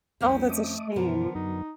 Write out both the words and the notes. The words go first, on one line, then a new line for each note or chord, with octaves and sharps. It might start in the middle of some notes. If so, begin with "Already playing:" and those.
Oh, that's a shame.
C2 F2 C4 C#4
A3 D#5 D6 D#6
F#2 B2 D3 F3 B3 A#4
F#2 F#3 D#4